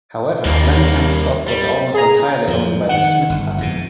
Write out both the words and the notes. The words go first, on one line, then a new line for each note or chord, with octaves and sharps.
However, Glencairn's stock was almost entirely owned by the Smith family.
D#2 G3 A#3
G3
G#4 A#5
F2 F3
D#3 F#5
G1
F2 G#2 B2